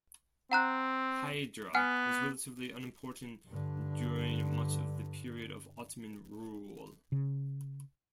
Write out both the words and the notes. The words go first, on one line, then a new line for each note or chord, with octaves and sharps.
Hydra was relatively unimportant during much of the period of Ottoman rule.
C4 F#5 A#5 F#6
B3 F#5 G#5 F6
G2 D3
C#3